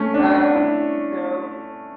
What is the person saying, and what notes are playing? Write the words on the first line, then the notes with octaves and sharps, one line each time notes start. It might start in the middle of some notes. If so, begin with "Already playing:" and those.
Um, so
Already playing: A3 C#4
D4
D4
E4